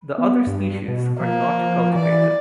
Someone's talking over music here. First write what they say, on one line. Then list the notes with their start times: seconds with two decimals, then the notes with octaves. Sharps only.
The other species are not cultivated.
0.18 B3
0.47 G2
0.88 B2
1.20 F3 A#3
1.96 E3 D5